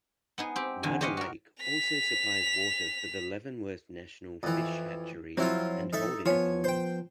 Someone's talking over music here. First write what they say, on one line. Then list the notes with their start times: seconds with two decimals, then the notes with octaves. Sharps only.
Nada Lake also supplies water for the Leavenworth National Fish Hatchery and holding ponds.
0.38 B3 D#4 G#4
0.56 C4 G4
0.83 E2 D3 G#5
1.01 G4 C5 C#5 D#5 F5 F#5
1.17 F#4 A#4
1.61 B6 F7
4.43 F2 E3
5.37 F2 F#3 C4 E4 F4
5.93 D#4 A4 E5
6.26 F3 B3 C#5 G#5
6.64 C5 G5